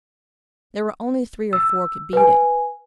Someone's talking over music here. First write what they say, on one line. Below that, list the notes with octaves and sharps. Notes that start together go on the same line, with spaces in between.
There were only three or four could beat it.
E6
B4 G#5